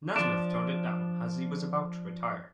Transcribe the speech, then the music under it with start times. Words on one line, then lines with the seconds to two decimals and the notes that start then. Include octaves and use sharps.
Nasmyth turned it down as he was about to retire.
0.16 F3 D4